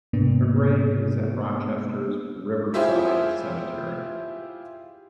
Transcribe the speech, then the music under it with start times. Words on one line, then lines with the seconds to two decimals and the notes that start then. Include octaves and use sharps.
Her grave is at Rochester's Riverside Cemetery.
0.13 G#2 C3 A#3 B3 D4
2.74 E4 F4 G4 G#4 C5 E5